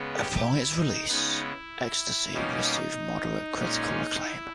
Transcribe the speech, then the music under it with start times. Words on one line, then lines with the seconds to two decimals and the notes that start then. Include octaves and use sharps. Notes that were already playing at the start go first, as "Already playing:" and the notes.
Upon its release "Ecstasy" received moderate critical acclaim.
Already playing: C#3 G#3 B3
0.15 G4
0.46 E4
0.77 D#4
1.08 C#3 G#3 B3 D#4
1.40 E4
2.34 B2 G3 A#3 C#4 D#4
3.58 A#2 G#3 C#4
4.21 E4